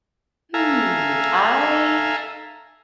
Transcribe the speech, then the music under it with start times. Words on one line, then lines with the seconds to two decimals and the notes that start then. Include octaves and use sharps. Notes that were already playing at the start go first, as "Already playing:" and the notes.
Hmm, I
0.54 A4 E5 F5 G#5 A#5